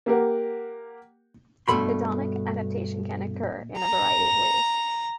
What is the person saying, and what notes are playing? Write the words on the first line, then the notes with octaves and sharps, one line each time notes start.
Hedonic adaptation can occur in a variety of ways.
A#3 G4 A#4 F#5
G2 B2 A3 B5 C6
A#5